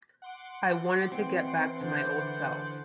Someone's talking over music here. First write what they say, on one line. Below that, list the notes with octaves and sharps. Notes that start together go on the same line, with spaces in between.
I wanted to get back to my old self.
F#5 C6 D6
E3 C4
D3 C5